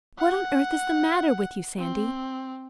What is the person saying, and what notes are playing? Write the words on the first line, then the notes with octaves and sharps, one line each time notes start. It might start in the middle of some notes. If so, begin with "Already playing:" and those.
What on earth is the matter with you, Sandy?
F#5
C4